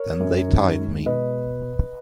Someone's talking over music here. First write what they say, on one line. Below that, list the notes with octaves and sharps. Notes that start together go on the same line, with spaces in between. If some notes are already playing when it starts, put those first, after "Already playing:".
Then they tied me.
Already playing: A#4 C#5
F#2
D#3
G#3
B2 B4 D#5